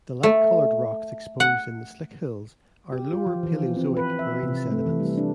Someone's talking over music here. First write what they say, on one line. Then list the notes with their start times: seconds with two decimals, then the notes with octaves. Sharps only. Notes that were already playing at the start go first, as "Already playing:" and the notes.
The light-colored rocks exposed in the Slick Hills are lower Paleozoic marine sediments.
0.23 A3
1.40 F#5
2.92 G4
3.13 F4
3.26 F3
3.43 E3
3.77 C4
3.97 B4
4.19 E5
4.43 C3
4.71 A3
4.86 E3
5.00 G3
5.17 D4